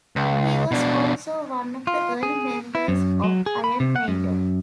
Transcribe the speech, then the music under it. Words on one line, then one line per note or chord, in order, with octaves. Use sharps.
He was also one of the early members of Iron Maiden.
C#2
B2 D4
F4
G#4
E4
F#2
F#3
G#4
B5
C3
F#5
F#2